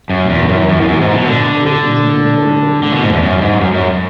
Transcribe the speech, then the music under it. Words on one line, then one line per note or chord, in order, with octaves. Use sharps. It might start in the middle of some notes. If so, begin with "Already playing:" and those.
Generally, participation is mandatory for community members.
F#2
E2
F#2
F#2
E2
F#2
G#2
B2
D3
D3
D3
B2
G#2
E2
F#2
G#2
F#2
F#2